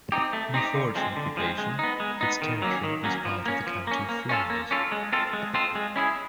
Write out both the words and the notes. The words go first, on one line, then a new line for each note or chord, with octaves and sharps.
Before its occupation, its territory was part of the county of Flanders.
C4 D#4 G4
A3
C4 D#4 G4
D3
F3 G#3 C4
D3
F3 G#3 C4
G#3
B3 D#4
G#3
B3 D#4
D#3
F#3 A#3 C#4
D#3
F#3 A#3 C#4
F3
A#3 C#4
F3
A#3 C#4
A#3
C#4 F4 A4
A#3
C#4 F4 A4
G#3
C4 F4 A4
G#3
C4 F4 A4
G#3
C#4 E4 G#4